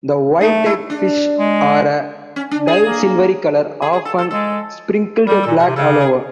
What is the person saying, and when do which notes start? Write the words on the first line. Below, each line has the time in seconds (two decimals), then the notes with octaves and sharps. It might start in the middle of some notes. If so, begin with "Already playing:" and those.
The wild-type fish are a dull silvery color, often sprinkled black all over.
0.41 A3 D#4
0.66 E4
0.90 D4
1.39 G#3
2.36 C#4
2.51 D4
2.68 G#4
2.84 A#3
3.82 G#4
3.93 G#4
4.05 A4
4.19 A4
4.31 G#3 A4
5.27 G3 A#4
5.43 A4
5.47 A#2
5.57 B2 A#4
5.66 C3
5.76 C#3 A4
6.01 G#4